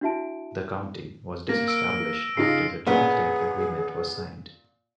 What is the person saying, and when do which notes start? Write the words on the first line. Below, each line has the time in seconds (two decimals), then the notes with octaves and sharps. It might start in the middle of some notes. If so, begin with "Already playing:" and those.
The county was disestablished after the Double Tenth Agreement was signed.
0.01 D4 E4 F#4 E5 A5 D7
1.49 A#3 A#6
1.68 E6 D7
2.37 C#3 D#4 F4 A#6 C7
2.87 A#2 B3 C#4 G#4